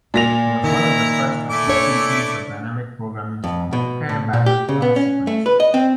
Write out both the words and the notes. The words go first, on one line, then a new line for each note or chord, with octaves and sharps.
It was one of the first applications of dynamic programming to compare biological sequences.
A#2 A#6 F7
D#3 E4 A#5
A3 E4 D6
D4 C#5
F2
B2
A2
A#2
G4
C#3
B3
C#4
A3
B4
D#5
C4